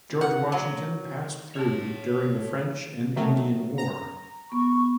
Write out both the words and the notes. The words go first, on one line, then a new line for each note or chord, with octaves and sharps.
George Washington passed through during the French and Indian War.
F#5
F#3
C#5 A5
D#3 F#3 A3
A#5
B3 C#6